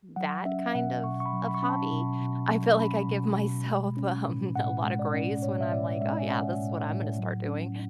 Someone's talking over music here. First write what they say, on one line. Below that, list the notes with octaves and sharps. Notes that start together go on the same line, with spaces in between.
that kind of of hobby. I feel like I give myself, um, a lotta grace when I'm like, "Oh, yeah, this is what I'm gonna start doing."
F#3 F#5
C#4 E5
B2 F#5
B2 C#6
C#6
B5
F#3
B5
C#6
C#4 B5
A5
B2
B2
F#3
C#4 B5
B2
B2
G#3
C#4
A2
A2 F#5
G#3
D5
C#4
A2 C#5
E5
A2 D5
G#3 E5
G#5
C#4 F#5
A2
A2
F#3
C#4